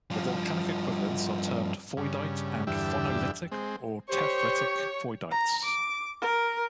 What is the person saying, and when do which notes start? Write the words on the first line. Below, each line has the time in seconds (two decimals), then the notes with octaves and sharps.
The volcanic equivalents are termed "foidite" and "phonolitic or tephritic foidites".
0.11 G2 F3
1.97 G2 C#3
2.67 E2 G2 D3 G4 E5
3.52 G#3 C4
4.10 G4 C5 C#5 C#6
5.31 A#5
5.64 D6
6.22 A#4